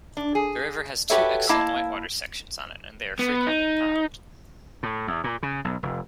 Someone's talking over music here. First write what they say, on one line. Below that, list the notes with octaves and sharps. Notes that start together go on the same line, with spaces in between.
The river has two excellent whitewater sections on it, and they are frequently paddled.
D4
G#4
F#4 G4 A4 B4 C#5 E5
A#3 E4 D#5 F5 A5
B3
D#4
A2
E2
A#2
C#3
B1
F1